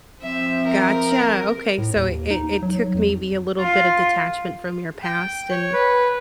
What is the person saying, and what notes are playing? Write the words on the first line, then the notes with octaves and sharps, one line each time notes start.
Gotcha. Okay. So it it it took maybe a little bit of detachment from your past and
F3 C4 E5
A#4
A2
D#2
D#4
F#3
F2
F4
G5
C#5
B4